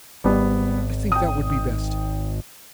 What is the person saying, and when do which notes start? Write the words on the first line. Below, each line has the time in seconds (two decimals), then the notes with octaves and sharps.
I think that would be best.
0.24 G#1 G3 B3
1.12 G5 D#6